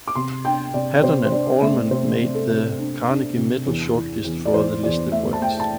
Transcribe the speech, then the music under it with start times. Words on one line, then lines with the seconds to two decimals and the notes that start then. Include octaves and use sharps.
Haddon and Almond made the Carnegie Medal shortlist for the listed works.
0.08 D6
0.15 C3 C6
0.44 D4 G5
0.74 C3 D5
0.95 D5
1.03 C3 C5
1.26 C5
1.32 D4 D5
1.62 A3 E5
1.91 C3 C5
2.20 C3
2.35 A4
2.49 C3
2.58 A4
2.78 D4
3.08 D4
3.37 C3
3.66 E2
3.95 E3
4.25 E2
4.45 D5
4.53 E3 C5
4.83 E2 D5
5.12 A3 E5
5.33 A5
5.42 A3 G5
5.60 A5